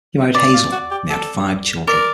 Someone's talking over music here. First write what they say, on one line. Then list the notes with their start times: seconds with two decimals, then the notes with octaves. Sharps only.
He married Hazel and they had five children.
0.34 B3 D5
0.54 F4
0.72 F#4
0.91 G4
1.10 A4
1.87 A#4 D5